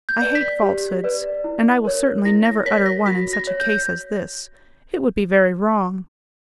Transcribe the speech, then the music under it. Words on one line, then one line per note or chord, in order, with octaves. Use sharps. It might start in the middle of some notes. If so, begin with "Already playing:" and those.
I hate falsehoods, and I will certainly never utter one in such a case as this; it would be very wrong.
G6
B4 D5
B6
G4
B4 D5
E4
A#4 C#5
E4 A#6
A#6
A#4 C#5 B6
A#6
F#4 B6
A#6
C#5
G6